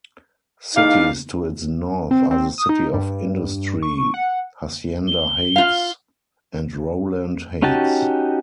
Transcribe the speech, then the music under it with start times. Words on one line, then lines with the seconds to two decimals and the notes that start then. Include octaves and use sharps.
Cities to its north are the City of Industry, Hacienda Heights, and Rowland Heights.
0.75 E2 D#4 D5 F5
2.11 C4
2.31 C4
2.58 D#6
2.69 D#4
2.94 G2
3.83 C#6
4.14 F#5
5.08 G7
5.56 F4 F5
7.62 C#4 D#4 F#4 G4 A5